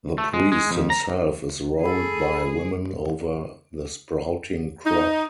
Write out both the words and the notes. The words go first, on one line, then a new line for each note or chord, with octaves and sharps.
The priest himself is rolled by women over the sprouting crop.
A3
G#3
G#3
F2
A#5
G#4 A4 B5
D#4